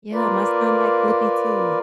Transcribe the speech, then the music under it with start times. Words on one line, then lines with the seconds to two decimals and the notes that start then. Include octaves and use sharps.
Yeah, my son like Blippi too.
0.12 A#3 F4 A#4 B4 D5